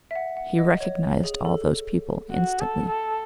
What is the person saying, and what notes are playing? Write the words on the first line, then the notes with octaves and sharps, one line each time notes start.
He recognized all those people instantly.
E5
F#5
F#5
D#5
C#5
G#4
A4
F#4
A4
A4